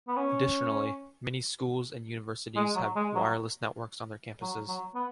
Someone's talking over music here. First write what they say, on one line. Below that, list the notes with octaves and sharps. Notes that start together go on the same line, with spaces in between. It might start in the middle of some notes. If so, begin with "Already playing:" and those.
Additionally, many schools and universities have wireless networks on their campuses.
B3
C#4
G#3
F#3
G#3
F#3
F#3
F#3
B3